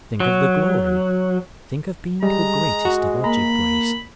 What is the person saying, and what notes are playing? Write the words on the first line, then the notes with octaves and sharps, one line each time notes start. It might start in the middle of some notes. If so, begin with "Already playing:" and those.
Think of the glory, think of being the greatest of Ojibways.
F#3
G3 G#3 A#5
F#4
A#3 A#5 B5